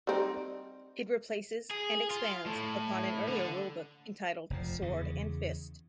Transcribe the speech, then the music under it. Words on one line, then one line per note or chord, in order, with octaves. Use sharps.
It replaces and expands upon an earlier rulebook entitled "Sword and Fist".
G3 C4 D#4
G#4
F4
A2
D3
F1 G#2 F3
E2 C#3